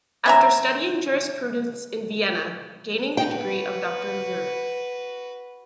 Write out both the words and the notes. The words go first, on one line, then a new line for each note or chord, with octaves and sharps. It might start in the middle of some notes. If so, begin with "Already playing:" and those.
After studying jurisprudence in Vienna, gaining the degree of Doctor jur.
C#4 E5 A#5
F#4 B4 G5